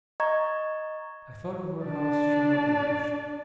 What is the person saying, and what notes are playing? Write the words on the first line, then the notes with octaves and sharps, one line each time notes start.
I thought of our house shut up and hushed.
D#5 A#5 C#6 G#6
D4 D5